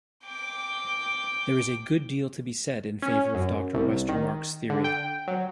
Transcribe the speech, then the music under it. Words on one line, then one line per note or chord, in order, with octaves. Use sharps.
There is a good deal to be said in favor of Dr. Westermarck's theory.
G5 D6
C#4
F#2
C2
D#3
D3
G5
F#3